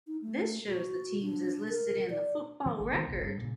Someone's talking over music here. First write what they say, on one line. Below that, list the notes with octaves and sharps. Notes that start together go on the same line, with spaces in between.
This shows the teams as listed in the "The Football Record".
D#4
A3
F#4
D4
A#4
D5
E3 F3 C#4
G#1
D#3 E3 G#3 B3
F#1 B1
G2 G3
A#2 C#3